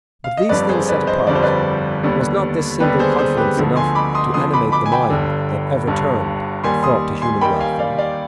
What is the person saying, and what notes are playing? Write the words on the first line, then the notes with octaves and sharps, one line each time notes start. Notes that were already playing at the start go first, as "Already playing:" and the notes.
But, these things set apart, Was not this single confidence enough To animate the mind that ever turned A thought to human welfare?
F5
D#5
G1 F2 D3 G3 B4 D5
G#4 C5
B4 D5
C5 D#5
G1 F2 D3 G3 D5
C5
B4 D5
D#2 D3 G3 B3
D#2 D3 G3 B3 G4 B4
G#4 C5
G#4 C5
G4 B4
D2 D3 F3 B3
G#5 C6
B5 D6
C6 D#6
D2 D3 F3 B3 C6 D#6
B5 D6
B5 D6
G#5
G5 B5
G1 G2 D3
G1 G2 D3
D#2 D#3 G3 G#5 C6
C6 D#6
G#5 C6
D#2 D#3 G3 G5 B5
F5 G#5
D5 F5
D5 F5